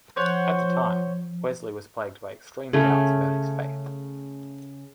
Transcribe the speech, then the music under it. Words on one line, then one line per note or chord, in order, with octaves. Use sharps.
At the time, Wesley was plagued by extreme doubts about his faith.
F3 C5 C#5 F#5
C#3 A3